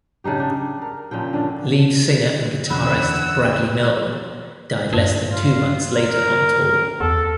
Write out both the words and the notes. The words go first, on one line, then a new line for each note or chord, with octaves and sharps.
Lead singer and guitarist Bradley Nowell died less than two months later on tour.
C#3 D4 D#4 G4
D4
A#4
A#2 C#3 F3 G5
D3 C#4 D4
F#1 E2 D3 F#5 B5 E6
G2
F4
A#4
E2 A4